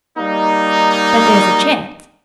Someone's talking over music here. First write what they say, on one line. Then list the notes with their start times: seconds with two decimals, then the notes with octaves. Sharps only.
"But there's a chance?"
0.18 G3 A#3 D#4